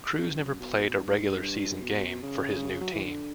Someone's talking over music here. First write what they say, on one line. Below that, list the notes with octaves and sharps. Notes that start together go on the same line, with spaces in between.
Crews never played a regular season game for his new team.
F#2
B2
G2
A2
G2
G2
B2
C#3
F#3
E3
D3